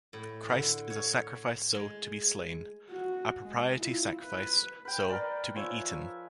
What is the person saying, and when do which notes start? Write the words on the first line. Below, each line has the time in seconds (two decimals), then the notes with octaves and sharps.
Christ is a sacrifice-so, to be slain; a propitiatory sacrifice-so, to be eaten.
0.13 A2
0.50 D3
0.90 C#5
1.75 G#3
2.90 F#4
3.42 G#3
3.79 E4 F4
4.22 B4
4.85 B4 G5
5.09 A#4 B4 D5 C6
5.56 F3 C#5 E5 G#5